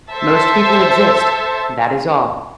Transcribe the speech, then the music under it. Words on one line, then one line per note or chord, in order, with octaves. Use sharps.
Most people exist, that is all.
A4 C5 E5 A5